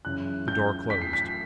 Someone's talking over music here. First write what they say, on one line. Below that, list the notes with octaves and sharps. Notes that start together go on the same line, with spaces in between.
The door closed.
F#2 C#3 E3 F#6
G6
B6
C7
B6